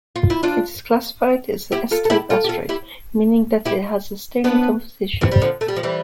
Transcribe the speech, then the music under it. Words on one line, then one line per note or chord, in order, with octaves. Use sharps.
It is classified as an S-type asteroid, meaning that it has a stony composition.
F4
E4
D4 F4
E4 G4
F4 A4
A4
E4 G4
F4 A4
G4
F4 A4
E4 G4
E4 G4
B3 D4
C3 E3
G3
D3 F3
A3
G3
F3
E3 G3